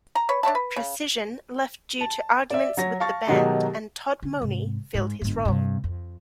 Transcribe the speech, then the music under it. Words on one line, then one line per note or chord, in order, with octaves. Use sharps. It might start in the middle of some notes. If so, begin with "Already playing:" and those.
Precision left due to arguments with the band, and Todd Mohney filled his role.
A#5
B4 C#5
D4 C#5 E5 A5
B4
C#3
A5
D5 E5
F#3 C#5 A#6
F5 A5 C#6 A6
B2 D#3 F#3 G#3 D#4 G4
D3
G#2 C3
G#2 G#3
G1 G#2
G2 C3
F2